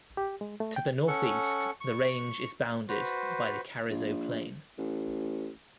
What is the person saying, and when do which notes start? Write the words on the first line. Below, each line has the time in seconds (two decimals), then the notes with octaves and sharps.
To the northeast, the range is bounded by the Carrizo Plain.
0.17 G4
0.41 G#3
0.60 A3
0.76 G5
1.08 C#4 A4 F#5 C#6
1.81 C#6
2.89 F#4 B4 C5
3.90 A#1
4.78 A1